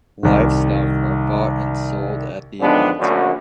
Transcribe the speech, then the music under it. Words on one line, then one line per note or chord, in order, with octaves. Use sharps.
Livestock are bought and sold at the event.
C2 D#3
D3 D#3 F3 G#3 B3 D4
A#1 F#2 D3 A3 F#4